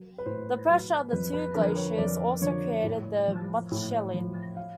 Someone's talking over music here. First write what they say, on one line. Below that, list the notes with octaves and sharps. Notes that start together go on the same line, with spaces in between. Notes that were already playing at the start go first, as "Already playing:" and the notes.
The pressure of the two glaciers also created the Mutschellen.
Already playing: F#3
B4
A2 C5
F#3
F2 B4
B4
D3 F3 A#4
C#5
F2 D5
D3 F3 C#5
A2
F3
A2
F3
F5